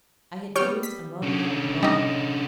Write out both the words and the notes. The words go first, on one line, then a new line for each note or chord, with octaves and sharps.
I had used ammonia and bromine.
G3 B3 C#5 G5 F6
B6
D3 C#4
G3 D#4 D#5